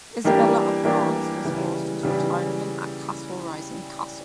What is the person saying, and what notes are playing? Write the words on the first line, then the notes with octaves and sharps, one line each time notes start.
Isabella of France was forced into retirement at Castle Rising Castle.
E3 G3 A#3 D4 G4
E3 G3 A#3 D4 G4
C#3 E3 G3
C#3 E3 G3